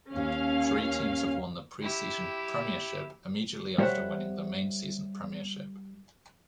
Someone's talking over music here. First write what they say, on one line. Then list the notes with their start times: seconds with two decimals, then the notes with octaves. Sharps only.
Three teams have won the pre-season premiership immediately after winning the main season premiership.
0.13 D#2 C#4 F5 F6
1.82 E4 G4
3.78 G3 C5 C#5 D#5 E5 F#5